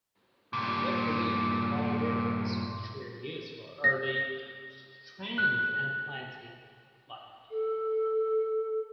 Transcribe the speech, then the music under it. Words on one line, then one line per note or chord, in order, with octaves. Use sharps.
They produced ball bearings which were used for early transatlantic flight.
G2 A#2
A#6
F#6
A4